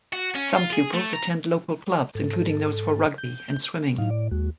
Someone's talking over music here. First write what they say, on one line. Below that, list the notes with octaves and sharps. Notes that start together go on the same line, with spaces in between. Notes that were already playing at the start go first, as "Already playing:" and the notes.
Some pupils attend local clubs including those for rugby and swimming.
F#4
C#4
F4
G#4
A3
A#5
G#2 A4
G6
A2 F#3 D#4 F5
D5
D#2 G#3 F#4